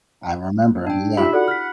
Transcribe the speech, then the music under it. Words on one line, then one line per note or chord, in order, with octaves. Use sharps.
I remember, yeah.
D4 G5
A#2 D#4 F4 G4 E5 B5
F#4 A4 D5 F#5
F6 B6